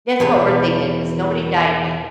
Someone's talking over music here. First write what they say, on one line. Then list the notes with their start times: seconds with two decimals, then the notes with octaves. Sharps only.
That's what we're thinking 'cause nobody died yet.
0.20 E2 B2 B4